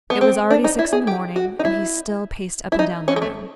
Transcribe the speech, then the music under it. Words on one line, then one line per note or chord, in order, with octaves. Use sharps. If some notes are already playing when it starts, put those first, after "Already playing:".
It was already six in the morning and he still paced up and down the room.
B3
C4
D4
D#4
E4
G#4
G4
F#4
D#4
E4
E4
D#4
C#4
G#3
A3